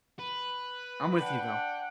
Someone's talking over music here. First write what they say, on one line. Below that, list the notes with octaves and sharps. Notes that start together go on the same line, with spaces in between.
I'm with you though,
B4
D4 F#5 G5